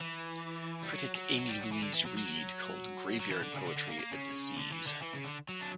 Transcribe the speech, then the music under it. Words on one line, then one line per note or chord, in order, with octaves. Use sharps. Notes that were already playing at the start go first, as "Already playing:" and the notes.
Critic Amy Louise Reed called Graveyard poetry a disease.
E3
G3
F#3
F#3
F#3
G3
F#3
E3
D3
E3
F#3
F#3
F#3
E3
D3
C#3
D3
D3
A#3
A#3
C#3
D3
E3
D3
E3
C#3
D3
F#3
D4